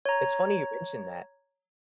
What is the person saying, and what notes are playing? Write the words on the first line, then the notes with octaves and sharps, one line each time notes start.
It's funny you mentioned that.
C#5 A#5